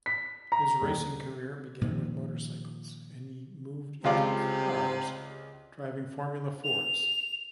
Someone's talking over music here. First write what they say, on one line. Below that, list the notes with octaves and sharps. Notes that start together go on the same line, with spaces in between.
His racing career began with motorcycles and he moved into cars driving Formula Fords.
B6
A#5
D#1
A#2 D#3 F3
C#2 C3 F4 D5
F7